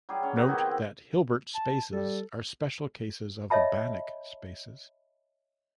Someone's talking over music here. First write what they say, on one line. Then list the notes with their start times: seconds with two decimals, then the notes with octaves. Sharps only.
Note that Hilbert spaces are special cases of Banach spaces.
0.09 F#3 G3 G4 G#4
0.23 C#4
0.36 B3 D#4 F#4
0.47 D#3 E4 F#4 G4
0.61 C4
1.54 A5
1.92 G3 A4
3.50 C#5 D#5 E5 A5 B5